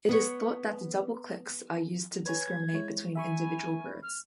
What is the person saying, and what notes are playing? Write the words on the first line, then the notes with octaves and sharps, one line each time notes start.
It is thought that the double clicks are used to discriminate between individual birds.
B3 C#5
B4 C#5 G#5 G#6
G#3 E4 C#5
E5 G#5 B5 C#6
F6